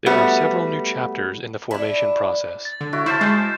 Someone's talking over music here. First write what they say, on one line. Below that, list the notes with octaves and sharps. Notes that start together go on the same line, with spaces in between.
There are several new chapters in the formation process.
G3 A3 B3 F#4
D4 E4
A6
D3
E4 F#4 C#5
E4 C5 A5 F6 G6 E7
G#3 C5 G6 C7